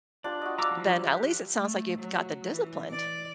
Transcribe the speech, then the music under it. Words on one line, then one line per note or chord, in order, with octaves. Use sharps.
then at least it sounds, like, you've got the disciplined.
D4 F4 G4 D5
F#4 D#5
D4 F5 A#5 D6 E6
F3 G3
G4
A3
F#3
E3
D5